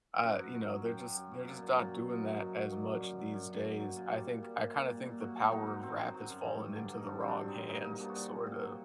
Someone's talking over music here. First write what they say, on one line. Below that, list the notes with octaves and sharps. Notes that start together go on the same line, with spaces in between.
uh, you know, they're just they're just dot doing that as much these days, I think I kinda think the power of rap has fallen into the wrong hands, sort of.
F#2 F#5
F#3
F#2
F#3
F#2 G5
F#2
F#2
F#3
A#2
A#2
A#2
F#3
A#2 D#5
A#2
F#3
F#3
F#3 D5
F#2
F#2
F#3
F#2
F#2
F#3
F#3
A#2
G3
A#2
G3
A#2
A#2
A#2
A#2
F#3 F#4
F#3
F#3 D#4
F#3
F#3 C4
F#3
F#3
F#2
G2
F#3
D3
G2
D#4
G2 D4
F#3 C4
D4
F#3
D#4
G2
A#2 D#4
A#2 D#4
A#2 D4
F#4
A#2 D#4
A#2
A#2
F#3